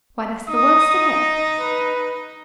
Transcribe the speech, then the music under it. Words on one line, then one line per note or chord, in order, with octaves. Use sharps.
'Why, that's the worst of it.
D#4 D#6
D#5
B4